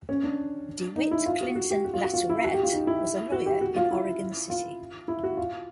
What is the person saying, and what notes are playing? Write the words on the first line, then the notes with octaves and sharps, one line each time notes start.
DeWitt Clinton Latourette was a lawyer in Oregon City.
C#4
D4
D#4
E4
F4
F#4
F#4
G4
F#4
F4
F#4
F4
E4
F#4
G4
F4
D#4
E4
F#4
G4
F#4
F4
E4
F4
E4
F#4
F4